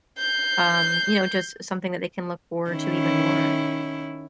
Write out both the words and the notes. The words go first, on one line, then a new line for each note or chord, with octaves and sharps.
um, you know, just something that they can look forward to even more.
G6 C7
D#3 C#4 E4